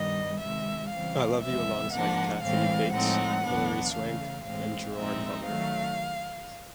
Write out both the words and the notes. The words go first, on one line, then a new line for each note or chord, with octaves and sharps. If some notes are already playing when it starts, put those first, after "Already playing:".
I Love You alongside Kathy Bates, Hilary Swank, and Gerard Butler.
Already playing: G2 D#3 G3 B3 D#5
C3 D#3 G#3 E5
C#3 E3 G3 C4 F5
E2 C3 F3 G#3 B3 E5
G#2 F3 A#3 D4 F#5
A2 E3 G#3 C4 F5
A2 F3 G#3 C4 D#4 F#5
E2 B2 F#3 B3 D4
C#3 E3 A3 F5
A2 E3 G#3 C4 F5
A#2 F3 G#3 C4 D#4 E5
D#3 F#3 A3 F5